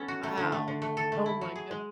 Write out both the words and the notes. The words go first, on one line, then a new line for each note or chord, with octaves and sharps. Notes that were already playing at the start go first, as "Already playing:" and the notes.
Wow. Oh my good
Already playing: B3 C#4 A4
F#4
A3
D3
A3
D3
A3
A4
A3
E4
F#3
G#4
G#3